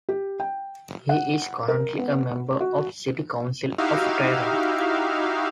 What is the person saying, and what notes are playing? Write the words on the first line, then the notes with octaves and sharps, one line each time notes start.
He is currently a member of City Council of Tehran.
G4
G5
F#5
A#4
B3
F#4
D#4 E4 F#4 G4 E5 F5